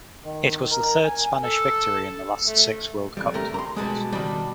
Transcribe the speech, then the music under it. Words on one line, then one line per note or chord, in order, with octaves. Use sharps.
It was the third Spanish victory in the last six World Cup tournaments.
D#3
A#4
G#5
A4
A3
F2 G3
A3 G4 A#4
A#5 C6
B2 G3 G#3 D4
D#3 G3 D4